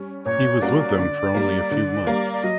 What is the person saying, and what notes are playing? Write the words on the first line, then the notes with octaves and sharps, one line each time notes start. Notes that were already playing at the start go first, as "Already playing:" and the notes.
He was with them for only a few months.
Already playing: G3 C#4
A#2 C#5
G3 A#3 C#4 F#4 D5
D3
G3 A#3
D3
G3 A#3
D5
F#3 D#5